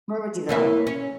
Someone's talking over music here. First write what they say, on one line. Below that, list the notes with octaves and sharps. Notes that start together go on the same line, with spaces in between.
Where would you go?
E3 A#3 E4 C#5
C#4